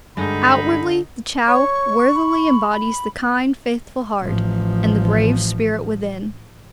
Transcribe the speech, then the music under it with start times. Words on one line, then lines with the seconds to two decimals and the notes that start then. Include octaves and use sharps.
Outwardly, the Chow worthily embodies the kind, faithful heart and the brave spirit within.
0.17 G2 D3 G#3 D#4 B5
1.48 C#5 C#6
2.15 B5
2.72 B5
4.23 A1 F3